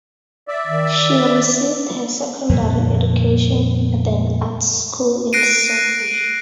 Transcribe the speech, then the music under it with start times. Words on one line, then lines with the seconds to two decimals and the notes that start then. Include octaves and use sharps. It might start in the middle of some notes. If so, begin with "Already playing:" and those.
She received her secondary education at an arts school in Sofia.
0.48 D5 E5
0.67 D#3
2.49 F2 A#2 D3 G3
5.33 F#6 A#6 C7 D7 D#7